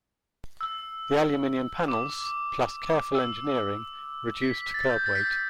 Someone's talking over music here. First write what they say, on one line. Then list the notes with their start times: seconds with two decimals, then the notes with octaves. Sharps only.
The aluminum panels, plus careful engineering, reduced curb weight.
0.61 E6
1.88 D6
3.15 E6
4.42 B6
4.57 B6
4.74 A6
4.90 G6
5.06 A6
5.15 B6
5.25 A6